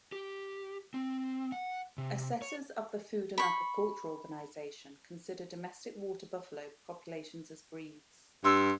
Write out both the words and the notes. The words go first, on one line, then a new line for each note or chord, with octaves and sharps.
Assessors of the Food and Agriculture Organisation consider domestic water buffalo populations as breeds.
G4
C4
F#5
C3
C#5
B5 C#6
G2 C6 E6